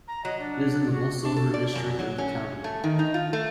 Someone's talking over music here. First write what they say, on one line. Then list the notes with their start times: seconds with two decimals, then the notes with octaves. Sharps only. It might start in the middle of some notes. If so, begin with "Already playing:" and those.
It is in the Bolsover district of the county.
0.08 A#5
0.25 F#3 D#5
0.39 D4
0.92 F#4
1.25 D4
1.36 A4
1.54 D5
1.75 F#2
1.99 F#3
2.18 C#4
2.64 A3
2.84 D#3
2.99 D#4
3.14 F4
3.33 A3